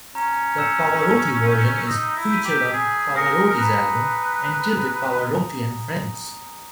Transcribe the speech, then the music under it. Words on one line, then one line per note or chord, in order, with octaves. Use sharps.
The Pavarotti version is featured on Pavarotti's album entitled "Pavarotti and Friends".
C#4 A#5
E6 G6 C#7 E7
E6
G6 B6 D#7
D#4 E6
E4
G6 B6 D#7
G4
G#4 G#5
A#4 D#6 A#6 C#7
A#4
B4 A#5